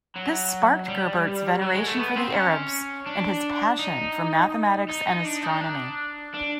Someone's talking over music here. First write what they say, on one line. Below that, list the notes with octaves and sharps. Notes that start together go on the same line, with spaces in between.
This sparked Gerbert's veneration for the Arabs and his passion for mathematics and astronomy.
F#3
G3
F#3
G#3
A3
B3
C4
C#4
D4
D#4
D#4
D#4
D4
D#4
D4
D4